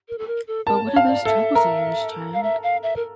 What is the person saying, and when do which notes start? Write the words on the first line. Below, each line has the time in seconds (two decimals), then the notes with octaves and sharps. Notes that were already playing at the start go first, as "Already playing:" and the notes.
But what are these troubles of yours, child?
0.09 A#4
0.18 A4
0.27 A#4
0.48 A4
0.66 A#4 A5
0.86 C#5
0.96 F5
1.07 D5
1.25 A4 E5
1.55 A#4
2.34 F5
2.43 E5
2.63 F5
2.83 E5
2.96 A#4